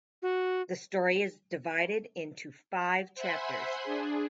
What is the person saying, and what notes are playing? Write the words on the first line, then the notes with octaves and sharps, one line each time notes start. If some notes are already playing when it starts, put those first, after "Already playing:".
The story is divided into five chapters.
F#4
C5 E5 F#5 G#5 B5 C6
D4 G#4